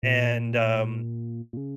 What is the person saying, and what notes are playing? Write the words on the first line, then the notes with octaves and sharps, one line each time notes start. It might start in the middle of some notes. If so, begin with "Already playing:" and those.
and, um,
A#2
A#2
C#3